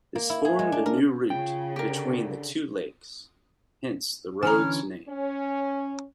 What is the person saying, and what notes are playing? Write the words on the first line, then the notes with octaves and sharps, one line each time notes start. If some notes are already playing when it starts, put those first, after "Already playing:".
This formed a new route between the two lakes, hence the road's name.
A#3
E4
G#4
G#3
D4
A#4
C#3 F4 G5
D3 G4 A#4
D3 E3 C#4 G#5 A#5 F6
C#4